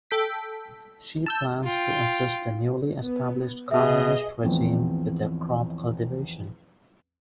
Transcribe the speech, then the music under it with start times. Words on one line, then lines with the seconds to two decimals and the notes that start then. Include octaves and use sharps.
She plans to assist the newly established communist regime with their crop cultivation.
0.11 A4 G5 B6
1.26 A5 E6 G6
1.64 F4 G5
3.01 B3
3.71 B2 G#4 D#5 E5 A5
4.43 A1 E2 F3 C4